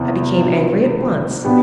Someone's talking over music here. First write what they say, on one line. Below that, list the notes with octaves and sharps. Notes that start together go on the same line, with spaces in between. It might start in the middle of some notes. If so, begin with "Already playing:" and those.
I became angry at once.
Already playing: E2 C3 E3 B3
B2 B3 D4 F4 C5
B2 B3 D4 G4